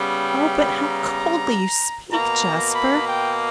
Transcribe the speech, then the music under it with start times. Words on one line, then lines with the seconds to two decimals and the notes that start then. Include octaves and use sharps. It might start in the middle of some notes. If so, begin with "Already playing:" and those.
'Oh, but how coldly you speak, Jasper!'
Already playing: C#3 G3 B3
0.17 G5
0.82 A#5
2.10 B2 A#3 A#5
2.75 B5
3.07 G5